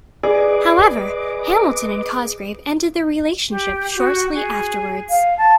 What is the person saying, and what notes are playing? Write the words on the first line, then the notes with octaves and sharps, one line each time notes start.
However, Hamilton and Cosgrave ended their relationship shortly afterwards.
G#4 B4 D5 D#5 D6
G4
F#4
G#4
F5
A5